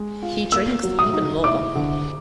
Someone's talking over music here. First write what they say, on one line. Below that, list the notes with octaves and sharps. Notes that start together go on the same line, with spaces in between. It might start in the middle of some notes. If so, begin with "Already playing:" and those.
He drinks even more.
Already playing: G#3
F4
A#3 E6
F#3
D#6
D#4
E4 D6
D3